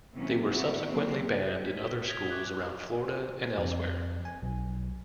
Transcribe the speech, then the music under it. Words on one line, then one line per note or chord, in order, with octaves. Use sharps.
They were subsequently banned in other schools around Florida and elsewhere.
C3 E3 F#3 A#3 C#4
A3 C4 E4 F#4
F#3 A#3 C4
B6
G7
D#6 G6 G#6 B6 D7 F7
C#6 D6 F#6 G#6
F2
G#5
B1